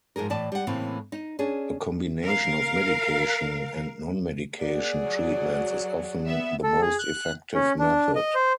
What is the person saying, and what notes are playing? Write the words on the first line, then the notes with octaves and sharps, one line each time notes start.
A combination of medication and non-medication treatments is often the most effective method.
G#2 F3 G#4 A#4
A2 E3 D5 A5
G3 F#5
A2 C#3 E3 A3 A#3 C4
D#4
C#4 D4 G#4
A#4 F5
A#3 G#4 D5 F#5
F#3
B3 E5
A4
G#4
F#6
C#4
D4
D#5
C5